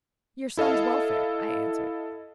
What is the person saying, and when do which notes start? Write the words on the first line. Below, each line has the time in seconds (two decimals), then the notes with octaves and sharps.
"Your son's welfare," I answered.
0.57 E4 A4 D#5 F5